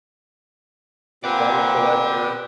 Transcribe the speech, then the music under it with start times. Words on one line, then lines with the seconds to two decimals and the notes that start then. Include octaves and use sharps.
Bone Collector
1.24 A#2 C4 G4 B4 D5 F#5 G5